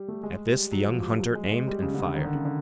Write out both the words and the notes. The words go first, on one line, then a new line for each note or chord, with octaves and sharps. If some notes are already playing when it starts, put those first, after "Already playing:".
At this the young hunter aimed and fired.
Already playing: G3
A3
G#3
G3
F#3
F3
F3
G3
F#3
G#3
G#3
G3
C#3
D3
C#3
D#3
D3
C#3
D3